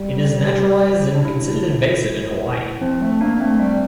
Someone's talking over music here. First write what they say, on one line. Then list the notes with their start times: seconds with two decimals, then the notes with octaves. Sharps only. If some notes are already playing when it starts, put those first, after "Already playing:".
It is naturalised and considered invasive in Hawaii.
Already playing: G3 G4
0.47 G4
0.86 G4
1.15 D4
1.25 E4
2.81 F3 C4
3.02 A3
3.21 A#3 D4
3.41 A3 C4
3.60 G3